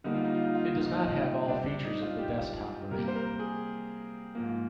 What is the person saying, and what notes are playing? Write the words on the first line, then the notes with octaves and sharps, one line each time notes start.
It does not have all features of the desktop version.
D3 G3 A#3 D#4
F4
D#4
F4
D#4
F4
D#4
F4
D#4
F4
D#4
C3 G3 C4 D4
D4
D#4
F4
G4
C3 G3 A#3 A#4
C5
A#4
G#4
G#2 F3 A#3